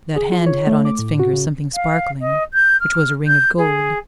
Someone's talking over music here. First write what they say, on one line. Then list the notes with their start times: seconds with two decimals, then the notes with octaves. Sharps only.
That hand had on its finger something sparkling, which was a ring of gold.
0.16 G#4
0.32 F4
0.46 C#5
0.67 A3
0.85 D6
0.99 A2
1.19 F#4
1.33 C#3
1.74 F5
2.21 D#5
2.54 G6
2.81 F6
3.27 G6
3.58 G#4